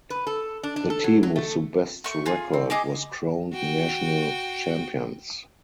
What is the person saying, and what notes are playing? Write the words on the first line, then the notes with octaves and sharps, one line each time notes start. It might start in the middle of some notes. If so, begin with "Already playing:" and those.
The team with the best record was crowned national champions.
B4
A4
D4
D4
A4
F#3
F#3
A3
A3 C#6
F4 G#4
C4
G#4 D#5 G#5 D6
F#4 G5